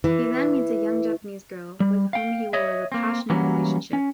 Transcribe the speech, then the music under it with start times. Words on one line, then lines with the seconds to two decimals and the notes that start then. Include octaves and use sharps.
He then meets a young Japanese girl with whom he will live a passionate relationship.
0.04 E3
1.80 G3
2.13 F5 G5
2.53 C#5 D#5 E5
2.92 A#3 C4
3.30 E3 F#3 G3 A#3 C#4 F#4
3.93 C#4